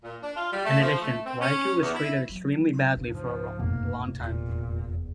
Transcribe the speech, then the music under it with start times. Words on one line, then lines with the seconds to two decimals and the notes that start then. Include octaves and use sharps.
In addition, Raiku was treated extremely badly for a long time.
0.03 A#2
0.22 D4
0.36 F4
0.52 G3
0.65 A3
0.82 F3
1.01 A3
1.26 C4
1.41 C#4
1.82 E2
1.94 E4
2.29 F#3
2.96 C#2 G2
3.14 G#2 F3
3.59 F1 B1 F#2 B2 A#3
4.17 E2 A#2